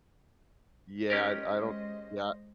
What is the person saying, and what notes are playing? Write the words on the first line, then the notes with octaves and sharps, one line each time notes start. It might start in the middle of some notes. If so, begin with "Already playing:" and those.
Yeah, I I don't, yeah
G#3 C#4 G4 A#4 C5 D#5